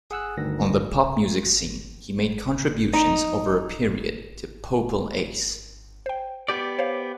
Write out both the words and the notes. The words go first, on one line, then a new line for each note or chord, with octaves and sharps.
On the pop music scene he made contributions over a period to Popol Ace.
G#4 F#5 E6 F#6
D2 G2 D#3 A#6
D#4
C5 G5
B3 G4 D5
C5 C#5 F5